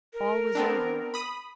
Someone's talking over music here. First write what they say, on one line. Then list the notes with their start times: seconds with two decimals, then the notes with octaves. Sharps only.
All was over.
0.13 A#4
0.55 B3 C4 D4
1.14 B5 D#6